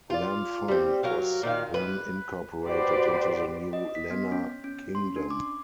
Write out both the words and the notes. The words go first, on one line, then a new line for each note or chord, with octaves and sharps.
Lamphun was then incorporated into the new Lanna Kingdom.
F4 D5
G3 C4
F#3 A#4 F5
A#2 D#3 F5
B4
F#4 G4 B4 C5 D5
D#5
B6
B3
C#4
C#4
C6
D4
D6